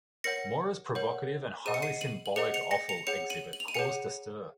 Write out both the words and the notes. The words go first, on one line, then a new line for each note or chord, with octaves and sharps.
Mora's provocative and highly symbolic offal exhibit caused a stir.
A#4 C#5 F#5 A#6 C#7
A#4 C#5 F#5
G#4 C5 D#5 F#5 D#7
C#7
C7 D#7
D#7 F#7
F#7
G#4 C5 D#5 F#5 C#7 F7
C#7 F7
A#6 C#7
C#7 F7
G#4 C#5 F#5 C#7 F7
D#7 F#7
F#7
F7
D#7
G#4 C#5 F#5 C#7 F7